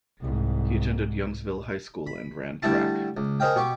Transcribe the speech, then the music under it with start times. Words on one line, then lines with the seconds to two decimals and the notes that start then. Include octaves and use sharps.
He attended Youngsville High School and ran track.
0.21 C2 G#2
2.07 B5
2.62 D3 G3 A3 E4 A5
3.17 C#2
3.40 G#4 A#4 C5 D#5 F5 G5
3.56 B2 G4 C#6 D6